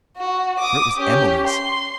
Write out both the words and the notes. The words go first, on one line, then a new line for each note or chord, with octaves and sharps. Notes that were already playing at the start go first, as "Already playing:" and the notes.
For it was Emily's!
F#4
D6 D#6
C#4 G4
C6